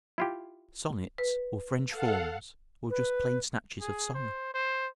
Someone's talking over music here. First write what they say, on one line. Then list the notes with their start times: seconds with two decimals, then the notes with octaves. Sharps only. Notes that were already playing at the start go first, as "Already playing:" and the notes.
"Sonnets, or French forms, or just plain snatches of song?"
0.18 E4 F4 G4
1.18 B4
1.88 A4 F5 F#5
2.90 B4
3.81 G#4
4.14 C5
4.54 C5